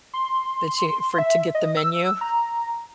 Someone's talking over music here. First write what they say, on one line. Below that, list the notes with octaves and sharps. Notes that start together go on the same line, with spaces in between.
that you for to get the menu
C6
E5
D#5
E6
A#5